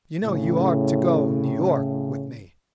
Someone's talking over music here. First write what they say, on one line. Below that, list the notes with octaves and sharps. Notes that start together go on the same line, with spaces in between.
"You know you are to go New York with me?"
A2 C#3